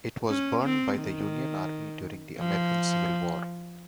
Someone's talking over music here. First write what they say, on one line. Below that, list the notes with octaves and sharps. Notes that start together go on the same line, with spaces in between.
It was burned by the Union Army during the American Civil War.
C#4
C4
D#3
F3